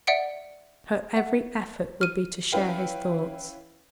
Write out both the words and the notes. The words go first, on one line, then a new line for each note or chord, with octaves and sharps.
Her every effort would be to share his thoughts.
D5 E5 F#5 C#7 D7
F#5
F6 D#7
C#4 E4 B4 F5 G5